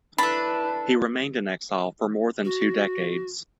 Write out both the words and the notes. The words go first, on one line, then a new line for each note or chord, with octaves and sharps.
He remained in exile for more than two decades.
D4 E4 A4 B4 B5
F#4